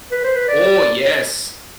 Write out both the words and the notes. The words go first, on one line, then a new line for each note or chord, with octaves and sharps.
Oh, yes.
B4
C5
B4
D5